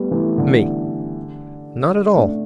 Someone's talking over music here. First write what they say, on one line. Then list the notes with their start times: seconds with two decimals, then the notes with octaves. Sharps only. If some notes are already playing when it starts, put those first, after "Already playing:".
ME: Not at all.
Already playing: G3 A3 B3
0.11 E3 A3
0.38 D3 G3
2.15 A3 D4